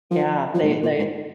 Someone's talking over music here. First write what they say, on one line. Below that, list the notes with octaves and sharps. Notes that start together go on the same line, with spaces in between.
Yeah, they they
F3
F3
G#2
A#2
A#2
G#2